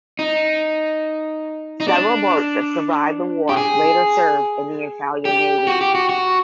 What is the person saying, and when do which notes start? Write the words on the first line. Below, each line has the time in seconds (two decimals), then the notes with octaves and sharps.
Several boats that survived the war later served in the Italian Navy.
0.19 D#4
1.80 D#4
1.88 D4
3.49 G4
3.57 G#4
5.25 G4
5.67 F#4
5.81 G4
5.95 F#4
6.09 F#4